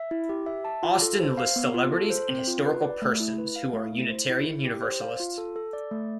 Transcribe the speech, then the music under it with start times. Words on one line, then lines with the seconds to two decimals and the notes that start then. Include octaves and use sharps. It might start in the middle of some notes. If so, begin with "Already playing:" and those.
Austin lists celebrities and historical persons who are Unitarian-Universalists.
Already playing: E5
0.11 E4
0.29 G4
0.46 E5
0.65 A5
0.83 F4
1.02 A4
1.20 C5
1.38 F5
1.56 B3
1.74 F4
1.92 A4
2.10 C5
2.29 C4
2.47 F4
2.65 B4
2.82 D5
3.02 A3
3.20 E4
3.38 B4
3.56 F5
3.73 A3
3.93 E4
4.10 C5
4.29 E4
4.46 E4
4.65 G4
4.82 C5
5.01 F5
5.20 F4
5.38 A4
5.56 A4
5.73 D5
5.91 A3